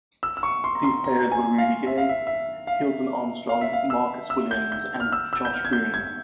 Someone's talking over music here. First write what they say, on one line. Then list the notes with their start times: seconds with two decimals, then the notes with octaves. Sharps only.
These players were Rudy Gay, Hilton Armstrong, Marcus Williams, and Josh Boone.
0.23 E6
0.37 E6
0.43 C#6
0.64 C6
0.75 A#5
0.84 C6
1.04 A#5
1.32 G#5
1.58 F5
1.86 E5
1.97 F5
2.09 E5
2.27 E5
2.67 F5
3.49 F5
3.61 E5
3.73 F5
3.90 E6
4.30 E6
4.51 G6
4.72 G6
5.00 F6
5.12 E6
5.33 E6
5.45 G6
5.53 F6
5.65 G#6
5.73 G6
5.94 G#6